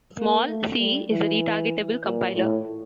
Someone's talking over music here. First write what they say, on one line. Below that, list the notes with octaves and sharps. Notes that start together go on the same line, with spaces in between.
Small-C is a retargetable compiler.
A#3
A3
G3
E3
A#2
A2